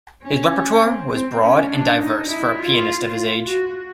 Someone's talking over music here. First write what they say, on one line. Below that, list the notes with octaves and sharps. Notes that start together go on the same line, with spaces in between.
His repertoire was broad and diverse for a pianist of his age.
C#4
C4
C4
C#4
D4
D#4
E4
F4
F#4